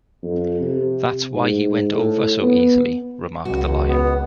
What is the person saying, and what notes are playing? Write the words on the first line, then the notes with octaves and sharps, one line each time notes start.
"That's why he went over so easily," remarked the Lion.
F2
C3
G#2
A2
B3
C#2 F#4
B3